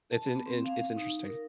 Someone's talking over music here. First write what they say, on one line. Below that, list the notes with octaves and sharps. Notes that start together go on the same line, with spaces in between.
It's an int it's interesting.
A5
B3
C4
F5
D#4
A#4